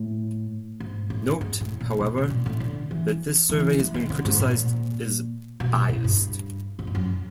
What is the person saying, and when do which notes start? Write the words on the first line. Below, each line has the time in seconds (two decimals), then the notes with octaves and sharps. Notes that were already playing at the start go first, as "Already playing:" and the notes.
Note, however, that this survey has been criticized as biased.
Already playing: A2
0.80 G#2
1.10 A2
1.41 G#2
1.61 A2
1.81 A#2
2.00 B2
2.18 B2
2.30 A#2
2.46 A2
2.60 D3
2.91 E3
3.49 E3
3.79 E3
3.94 D#3
4.10 D3
4.25 G#2
4.40 A#2
5.60 B2
5.74 A#2
5.89 A2
6.04 G2
6.79 G#2
6.87 G2
6.95 F#2